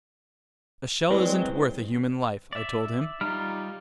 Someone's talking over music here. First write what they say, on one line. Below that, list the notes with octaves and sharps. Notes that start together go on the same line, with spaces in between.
"A shell isn't worth a human life!" I told him.
F#3 G#3 C4 E4 B4 D5
D5 E5
G3 D#4 F4 F6